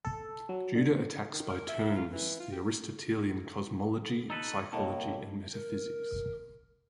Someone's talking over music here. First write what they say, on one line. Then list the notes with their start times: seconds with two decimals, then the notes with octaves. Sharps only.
Judah attacks by turns the Aristotelian cosmology, psychology, and metaphysics.
0.05 A4
0.49 F#3
0.75 D3
1.33 D#3
1.49 A#4
1.69 E5
1.96 F4
2.12 E3
2.40 F4
2.52 G4
4.30 D#4 A4 B4 E6
4.73 C2 A2 A#3 C#5 D#5 A5
5.53 A#4